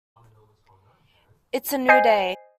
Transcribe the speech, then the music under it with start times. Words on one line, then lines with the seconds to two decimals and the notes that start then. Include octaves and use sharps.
It's a new day.
1.88 C5 D#5 G#5 G6 C7